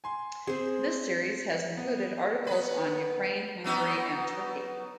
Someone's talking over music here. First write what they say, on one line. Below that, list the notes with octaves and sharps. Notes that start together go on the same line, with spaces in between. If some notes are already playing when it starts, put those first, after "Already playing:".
This series has included articles on Ukraine, Hungary and Turkey.
G#5 C6
C4 G#4 C5
B3
B3 B4
F#3 B3 D#4